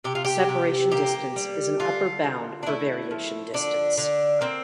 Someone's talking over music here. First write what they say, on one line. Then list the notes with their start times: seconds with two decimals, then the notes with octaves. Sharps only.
Separation distance is an upper bound for variation distance.
0.04 C3 G4
0.15 F4
0.25 G4
0.49 C3
0.92 A#3 G4
1.36 G3
1.80 D3 F4
2.24 D3
2.63 D4
2.67 A3 E4
3.11 F3
3.54 D3 D4
3.98 D3
4.41 A#3 C4